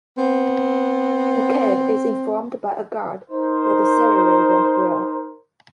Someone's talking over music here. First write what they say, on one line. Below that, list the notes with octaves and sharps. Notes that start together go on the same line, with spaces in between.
McCabe is informed by a guard that the surgery went well.
B3 C4
D#4 A#4 C5